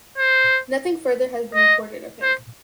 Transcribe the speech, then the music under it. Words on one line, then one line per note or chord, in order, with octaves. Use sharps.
Nothing further has been recorded of him.
C5
D#5
C5